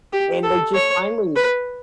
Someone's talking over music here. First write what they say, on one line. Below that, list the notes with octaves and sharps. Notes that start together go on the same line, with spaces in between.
And they just finally
G4
A4
C#5
B4